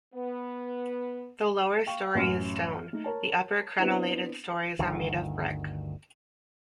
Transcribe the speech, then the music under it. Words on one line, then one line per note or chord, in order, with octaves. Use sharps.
The lower story is stone; the upper crenelatted stories are made of brick.
B3
F5 G5 C#6
A1 F#2 F6
A3 D#4
A#4 C#5 A5
B3 C4 D4 E4
G1 D2 D#3